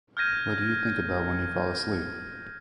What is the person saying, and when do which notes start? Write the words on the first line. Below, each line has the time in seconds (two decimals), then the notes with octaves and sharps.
What do you think about when you fall asleep?
0.17 F6 G6 G#6 A#6 D#7